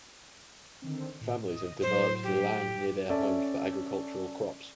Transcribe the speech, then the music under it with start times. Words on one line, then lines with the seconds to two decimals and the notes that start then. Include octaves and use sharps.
Families have developed the land near their homes for agricultural crops.
0.82 D3 D#3 C4
1.21 A2
1.46 D#5 D#6
1.82 A2 F#3 C5
2.23 G4
3.10 C#4 A4 D5 E5